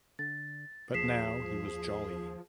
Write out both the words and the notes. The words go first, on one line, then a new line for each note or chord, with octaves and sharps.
But now he was jolly.
D3 A6
D#2 F3 G#4 B6 C7 E7